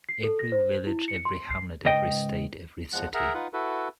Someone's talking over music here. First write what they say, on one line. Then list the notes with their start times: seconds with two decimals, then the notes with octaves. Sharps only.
Every village, every hamlet, every state, every city.
0.09 C7
0.24 A4
0.39 A#6
0.52 C5
0.87 E4
1.08 C#7
1.25 C6
1.50 C7
1.85 C#2 G#2 D#5 G5
2.93 E2 F3 G#3 F#5 F#6
3.14 G#4 A#4 E5 F#5 A#5
3.34 D#4 F4 B4 F#5
3.53 E4 F#4 A4 B4